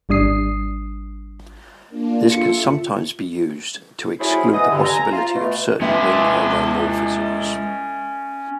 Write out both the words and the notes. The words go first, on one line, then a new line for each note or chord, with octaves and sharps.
This can sometimes be used to exclude the possibility of certain ring homomorphisms.
G#1 G3 D4 D#6 C7
A#3 D4 F4
F4 A4 E5 C#7
F#3 A3 C#4 E4 G#4 C5
E3 B3 G#4 D#5 D#6
G2 D3
G#5 A#5
F4
B2 A3
G#3 C#4 B4 E5